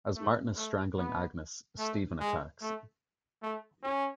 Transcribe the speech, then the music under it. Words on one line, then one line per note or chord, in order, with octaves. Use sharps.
As Martin is strangling Agnes, Steven attacks.
A3
A3
B3
A3
G#3
A3
A3
C#4